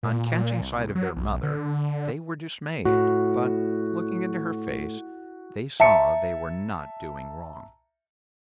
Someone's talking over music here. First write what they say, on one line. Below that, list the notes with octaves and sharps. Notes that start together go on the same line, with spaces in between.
On catching sight of their mother they were dismayed, but, looking into her face, they saw they were not doing wrong.
A#2
C2
F#3
B1
D3
A2 F#4
E5 A5 A#5 C#7